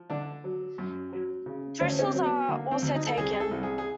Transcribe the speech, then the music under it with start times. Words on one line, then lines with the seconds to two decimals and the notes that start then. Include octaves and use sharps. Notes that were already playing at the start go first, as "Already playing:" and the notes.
Thistles are also taken.
Already playing: F3
0.10 D3 D4
0.44 F#3
0.78 F#2
1.13 F#3
1.46 C#3
1.81 D2 C#4
1.99 C#4
2.03 C4
2.15 F#3
2.26 B3
2.48 D3 A#3
2.71 C4
2.82 D2
2.95 D#4
3.06 A4
3.17 C2 G#4
3.32 G#4
3.40 A4
3.51 C2
3.63 G#4
3.78 G#4